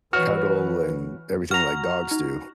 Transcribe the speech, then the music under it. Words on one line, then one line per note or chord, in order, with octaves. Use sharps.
cuddle, and everything like dogs do.
E3 F#4 B4 C#5 F6
F#4 A#5 F6
D#4